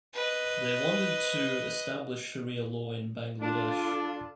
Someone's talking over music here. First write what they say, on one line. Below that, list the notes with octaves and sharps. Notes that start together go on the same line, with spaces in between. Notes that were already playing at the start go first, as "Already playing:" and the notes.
They wanted to establish sharia law in Bangladesh.
B4 D#5
D4 F4 A4